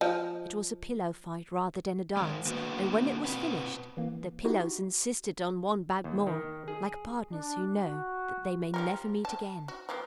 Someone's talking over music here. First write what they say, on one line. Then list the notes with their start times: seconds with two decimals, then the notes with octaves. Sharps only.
It was a pillow fight rather than a dance, and when it was finished, the pillows insisted on one bout more, like partners who know that they may never meet again.
0.01 F3 D#5
2.17 D#3 G#3
2.47 D3 A#3 B3 F#4 B4
3.25 B2 C4 B4
3.97 E3 A#3
4.45 D#4 E4 F#4 G4
6.04 D#2
6.27 D#3
6.68 G#4
7.32 D4
7.81 F#4
8.74 F3 G3 A#4
9.25 A5
9.68 F#4
9.89 F3 A#3 B3